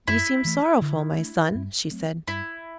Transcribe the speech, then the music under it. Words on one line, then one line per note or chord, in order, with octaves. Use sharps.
'You seem sorrowful, my son,' she said.
F#2 E4
E3 A3
D3
A3 D4
G2
F#3 A3 C4
G2 E4